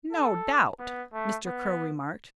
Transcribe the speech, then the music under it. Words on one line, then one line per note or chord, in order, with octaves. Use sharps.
"No doubt!" Mr. Crow remarked.
A4
B3
A3
B3